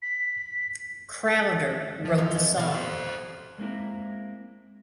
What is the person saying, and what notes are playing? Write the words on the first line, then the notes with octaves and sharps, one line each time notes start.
Crowder wrote the song.
B6
F3
F2 D#3
B2 G3 F5
A4 C5
G#3 A#3 C4 E4 A#4